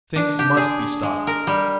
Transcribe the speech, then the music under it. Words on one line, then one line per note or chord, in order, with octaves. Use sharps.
Things must be stopped.
D4
G4
G#4
G#3
A#4
G3